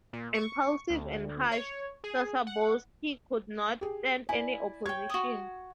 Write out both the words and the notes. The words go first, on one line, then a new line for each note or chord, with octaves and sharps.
Impulsive and harsh, Sosabowski could not stand any opposition.
A#2
C#6
D2
C#5
G#4
F#5
G4 G#4
E4 D5 G#5
C#5 G5 G#6
F#4 D#6